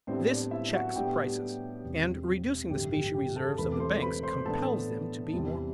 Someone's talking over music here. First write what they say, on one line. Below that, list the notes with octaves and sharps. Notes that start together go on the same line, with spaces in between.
This checks prices, and, reducing the specie reserves of the banks, compels them to be more cautious.
A2 G3 B3 C4 D4 C5
D4 D5
E4 E5
F#4 F#5
A2 G3 B3 D4 G4 G5
E1 E2 C3
A1 G2 D3 F#3 G4 G5
G4 G5
G4 G5
A4 A5
E1 E2 C3 E3 A3 B4 B5
D6
C5 C6
B4 B5
C5 C6
A2 E3 B3 D4 A4 A5
E2 C3 E3 G3 C4